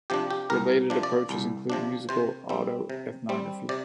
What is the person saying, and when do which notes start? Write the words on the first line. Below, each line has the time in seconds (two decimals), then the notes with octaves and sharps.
Related approaches include musical autoethnography.
0.10 C3 F3 D4 G4
0.31 G4
0.50 C2 A#4
0.90 C3 F3 D4
1.03 D5
1.29 C2
1.70 C3 F3 D4
2.09 C3 C5
2.49 G3 C4
2.90 C3
3.29 G3 C4
3.69 C3 D5